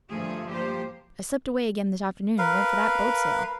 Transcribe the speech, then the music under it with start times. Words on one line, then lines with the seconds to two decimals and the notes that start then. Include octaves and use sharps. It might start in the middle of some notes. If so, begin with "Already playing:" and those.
I slipped away again this afternoon and went for that boat sail.
0.11 D2 G2 F3 A3 A#3 G#4
0.50 F3 A#3 G4 C5
2.38 A#4 B4 F5